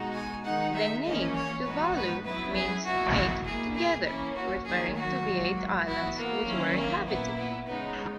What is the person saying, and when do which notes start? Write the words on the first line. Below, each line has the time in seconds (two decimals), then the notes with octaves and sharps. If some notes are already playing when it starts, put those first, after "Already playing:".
The name "Tuvalu" means "eight together", referring to the eight islands which were inhabited.
Already playing: B2 G#3 D#4 F#4
0.13 G#5
0.44 D#3 G#3 D#4 F#5
0.74 E5
1.04 C#3 E3 A#3 C#4 D#5
1.35 C#5
1.65 G#2 E3 B3 D#4 F#4 B4
1.95 B4
2.25 C#3 F#3 B3 E4 B4
2.55 G#4
2.84 B2 A#3 E4 F#4
3.15 F#4
3.45 B2 A#3 E4 G#4
3.75 G#4
4.05 E3 A#3 C#4 E4
4.36 F#4
4.65 D#3 F#3 A#3 G#4
4.96 F#4
5.26 G#2 F#3 A#3
5.86 E3 B3 E4 F#4
6.17 A#3
6.46 D#3 F#3 C#4 E4
6.76 A#3
7.07 A#2 A#3 B3 E4
7.37 B3
7.67 C#3 G#3 B3 D#4